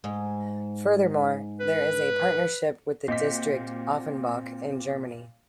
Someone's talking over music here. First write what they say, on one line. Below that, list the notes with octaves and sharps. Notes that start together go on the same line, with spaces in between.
Furthermore, there is a partnership with the district Offenbach in Germany.
G#2
B4
A#2 C4 F#4 G4 D#5 B6